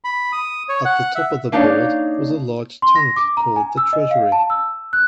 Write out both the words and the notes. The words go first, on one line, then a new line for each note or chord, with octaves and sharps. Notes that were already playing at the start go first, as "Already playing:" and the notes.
At the top of the board was a large tank called the treasury.
B5
D#6
C#5
F#5
E5
A#3 D4 D#4 C#5 F5
C6
A#6
D6
A#5
G#5
E6
D#5
F5
A5
E6
F#6